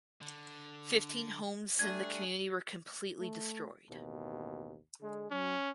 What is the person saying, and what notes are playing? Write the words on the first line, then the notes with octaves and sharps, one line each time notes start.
Fifteen homes in the community were completely destroyed.
D3
G3 A3 D4 G#4 G#6
A3
A1 D#2 B2
D3 G#3 G#4
F#3 C#4